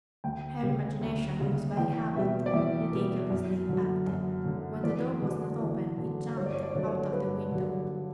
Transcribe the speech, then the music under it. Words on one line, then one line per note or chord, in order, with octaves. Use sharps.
Her imagination was by habit ridiculously active; when the door was not open it jumped out of the window.
D2 G5
C#3 G3
D2
C#3 G3
E2 G5
B2 G3 E5
D5
E2 E5
B2 G3
F#2
D3 F#3
F#2
D3 F#3
E2 D5
D3 F#3
E2
D3 F#3
G2 C#5
D5
C#5
D5
C#5
D3 F#3 D5
C#5
G2 B4
D3 F#3